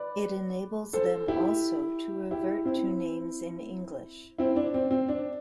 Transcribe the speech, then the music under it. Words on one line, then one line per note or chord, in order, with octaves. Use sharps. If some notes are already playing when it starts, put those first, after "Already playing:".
It enables them also to revert to names in English.
Already playing: B4 D5
A4 C5
E4 G4
E4 G4
C4 E4
C4 E4
D4
C4
C4
D4